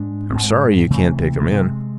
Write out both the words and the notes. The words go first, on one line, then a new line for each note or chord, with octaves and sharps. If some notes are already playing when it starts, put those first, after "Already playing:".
I'm sorry you can't take him in.
Already playing: G#2 G#3 D4
G#2 G#3 C4
C3 E3 A3 C4
C3 G#3 C4